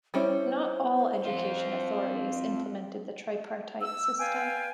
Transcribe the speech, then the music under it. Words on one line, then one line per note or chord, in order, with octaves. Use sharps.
Not all education authorities implemented the tripartite system.
G3 C#4 E4 C5
C4 F4
E6
B4 D5 F5 G5 G#5